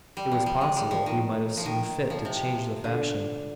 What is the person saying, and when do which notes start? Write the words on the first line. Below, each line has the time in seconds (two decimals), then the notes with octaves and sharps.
It was possible he might have seen fit to change the fashion.
0.17 G3
0.32 F3
0.46 G3
0.61 G#3
0.76 G3
0.91 F3
1.06 D#3
1.57 F3
1.66 D#3
2.10 F3
2.25 C3
2.84 D3